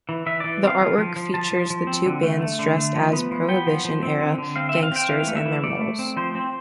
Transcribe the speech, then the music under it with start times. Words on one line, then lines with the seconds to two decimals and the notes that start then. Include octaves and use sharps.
The artwork features the two bands dressed as prohibition era gangsters and their molls.
0.09 E3
0.26 E3 E5
0.40 E3 D5
0.63 C4 F5
0.81 F3
0.98 F3
1.16 F3
1.34 F3 A5
1.52 F3
1.70 F3
1.87 C4
2.06 D3
2.23 A3
2.41 A3
2.59 D3
2.77 A3
2.94 F3
3.13 B3
3.31 F3
3.48 B3 G5
3.67 F3
3.85 F3
4.03 C4
4.20 D3
4.38 D3
4.56 C4 F5
4.69 C4 E5
4.83 F5
4.92 C4 G5
5.09 E3 F5
5.27 A3
5.36 E5
5.46 E3
5.63 A3 D5
5.81 A3
5.99 C4
6.17 F3 C5
6.35 C4